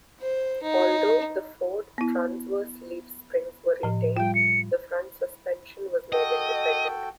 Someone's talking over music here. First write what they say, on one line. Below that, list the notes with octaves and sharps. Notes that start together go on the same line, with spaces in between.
Although the Ford transverse leaf springs were retained, the front suspension was made independent.
C5
D#4
B3 E4
A2 F3
G3 F4 G5
C#7
F#4 A4 D#5 G5